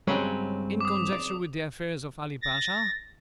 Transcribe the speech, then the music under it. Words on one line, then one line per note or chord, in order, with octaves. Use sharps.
"In conjunction with the affairs of Ali Pasha?"
G2 C#3 F#3 G#3 C4 C#5
D6 D#6
D5
A6 A#6